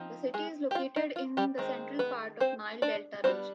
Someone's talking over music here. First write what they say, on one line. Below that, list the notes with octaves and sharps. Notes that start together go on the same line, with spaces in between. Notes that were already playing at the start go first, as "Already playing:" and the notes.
The city is located in the central part of the Nile Delta region.
Already playing: F3 C4 D#4
G#3 G#4
G4
F4
D#4
F4
G3 G4
D#3 G#3 C4
B3 B4
C4 C5
D4 D5
G3 B3 C4 D4 C5